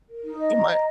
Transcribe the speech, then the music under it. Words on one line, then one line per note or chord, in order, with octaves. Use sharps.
It might
A#4
D#4
D#5
A#5
D#5